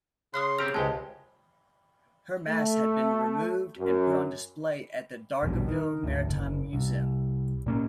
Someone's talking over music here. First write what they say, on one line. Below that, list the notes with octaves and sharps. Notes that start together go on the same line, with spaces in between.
Her masts had been removed and put on display at the Dargaville Maritime Museum.
C#3 C6 D#6 F6 F#6
C4 G4 A#5 F6
C#2 G#3 G4 C5 G#5 A5
A3
F#2
A#1 E2 G2 B2
D#3
G#1 D2
F#1
C2
A#2 A#3 C#4